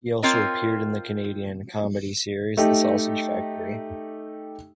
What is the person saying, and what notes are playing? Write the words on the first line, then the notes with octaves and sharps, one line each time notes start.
He also appeared in the Canadian comedy series "The Sausage Factory".
C4 F4 A#4 C#5 D#5
A3 D#4 G4